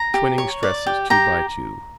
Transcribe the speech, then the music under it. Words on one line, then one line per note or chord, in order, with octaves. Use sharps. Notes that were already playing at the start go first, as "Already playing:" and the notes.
The twining stresses, two by two.
Already playing: A#5
G4
C#5
D5
G4
G4 A#5